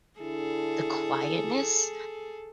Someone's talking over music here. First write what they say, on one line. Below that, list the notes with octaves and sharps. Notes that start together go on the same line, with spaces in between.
the quietness
D3 E4 G#4 A4